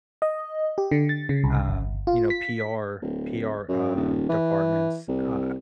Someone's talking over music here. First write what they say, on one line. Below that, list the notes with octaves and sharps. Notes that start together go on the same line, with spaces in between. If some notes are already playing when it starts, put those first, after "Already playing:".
um, you know, PR PR, um, departments. Uh,
D#5
G4
D3
A6
C#3
C2
G1
F4
B6
D1
F#2
D#1
E3
C2